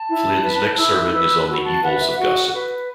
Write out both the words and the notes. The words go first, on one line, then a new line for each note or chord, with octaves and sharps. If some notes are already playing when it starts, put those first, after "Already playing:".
Flynn's next sermon is on the evils of gossip.
Already playing: A5
E4
B4
E4 E6
B4 E6
F#4 B5
A5
B4 F#5
E5
F#4 F#5
B4